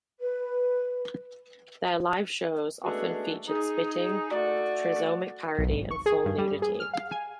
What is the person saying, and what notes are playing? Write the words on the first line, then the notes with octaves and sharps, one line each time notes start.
Their live shows often featured spitting, trisomic parody, and full nudity.
B4
G#3 A3 B3 C#4 D4 F#4
D#4 G#4
A3 F#4 D5
B1
G#1
C#6
G#4
G2
G3
G#4
F6
F5
G#5